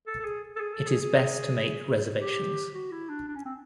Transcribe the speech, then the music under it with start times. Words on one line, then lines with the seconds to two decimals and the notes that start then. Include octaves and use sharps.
It is best to make reservations.
0.07 A4
0.19 A4
0.25 G#4
0.56 A4
0.60 G#4
0.74 A4
0.88 G#4
1.01 G#4
2.20 G4
2.74 F#4
2.92 E4
3.09 D4
3.27 D4
3.36 C#4
3.45 C4